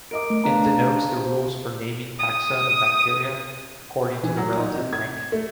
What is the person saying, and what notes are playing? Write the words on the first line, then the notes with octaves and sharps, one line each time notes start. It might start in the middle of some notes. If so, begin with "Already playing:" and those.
It denotes the rules for naming taxa of bacteria, according to their relative rank.
A#4 D#5 D6 D7
A3
B3 D4 C#5 F5 A5 A#5
G4 G#4 C5
D#6
E3
F#3
D#4
C3
G#6
A3